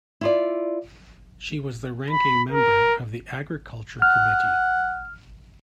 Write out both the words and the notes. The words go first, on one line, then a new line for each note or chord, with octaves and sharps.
She was the Ranking Member of the Agriculture Committee.
E4 F4 D5
B5
A#4
F#5 F6